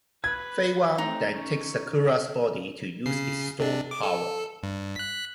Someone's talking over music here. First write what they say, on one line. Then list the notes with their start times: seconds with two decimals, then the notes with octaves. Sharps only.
Fei-Wang then takes Sakura's body to use its stored power.
0.24 B4 G#6
0.98 A3 C4 D#4
1.35 C#4
3.06 C#3 C7
3.60 C3 D4
3.91 D6
4.03 A4
4.63 G2
4.96 F#6 B6